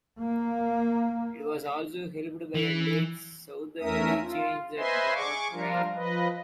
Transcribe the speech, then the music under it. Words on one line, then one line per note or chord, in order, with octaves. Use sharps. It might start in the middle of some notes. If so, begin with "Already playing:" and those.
It was also helped by a late Southerly Change that brought rain.
A#3
E3
E2 A3 C#4 A#4 E5 D#6
F4
B4 C5 D#5 E5 G#5 C6
G#4 C#6 D6
F3 G3 D4 F4 A#4
F3 B4 D#5